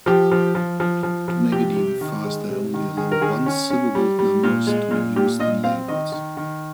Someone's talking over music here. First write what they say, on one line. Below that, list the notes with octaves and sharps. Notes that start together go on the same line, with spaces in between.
To make it even faster, I only allow one-syllable numbers to be used in labels.
F3 G4
F3
F3
F3
F3
F3
C3 G4
C3
D#3
G#3
C3
D#3
D#3 G#4
A#4
D#3 G#4
C#4
C#4
G3
G3
A#2
G#3
A#2
A#2 G4
A#2 D#5
C4 F5
D#3 D#5
D#3
D#3